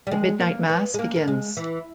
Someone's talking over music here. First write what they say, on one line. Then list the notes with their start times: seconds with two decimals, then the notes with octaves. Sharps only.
The midnight mass begins.
0.07 G3
0.11 G#3
0.40 A#3
0.69 B3
0.94 G#3
0.99 A#3
1.16 A#3
1.28 G#3
1.57 E3